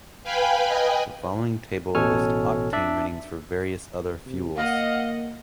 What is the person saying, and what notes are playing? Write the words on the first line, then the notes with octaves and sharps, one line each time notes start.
The following table lists octane ratings for various other fuels.
B4 F5 G5 G#5 B5
B4 D#5 G5 G#5
A1 B2 A4 C#5 G#5 F6
D4 D5 E5
C3
A#3 D#5 F5 F#5